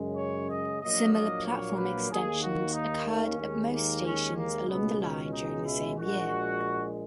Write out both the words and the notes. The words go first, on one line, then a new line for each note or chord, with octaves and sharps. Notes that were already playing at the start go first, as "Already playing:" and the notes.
Similar platform extensions occurred at most stations along the line during the same year.
Already playing: F#2 C#3 G#3
C#5
D#5
A#1 A#2 F#3 A#3 D#5
D#5
C#5
B4
D#2 D#3 A#3 G#4
F#4
D#4
C#4
D#2 D#3 G#3
A#3
C#4
A#3
C#2 B2 G#3 B3
C#4
D#4
E4
A#1 A#2 G#3 F#4